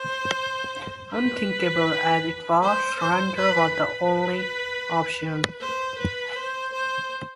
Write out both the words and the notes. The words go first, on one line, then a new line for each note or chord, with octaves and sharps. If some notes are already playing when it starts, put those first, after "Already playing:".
Unthinkable as it was, surrender was the only option.
Already playing: C5
B4
C5
C5
B4
B4
C5
B4
C5
C5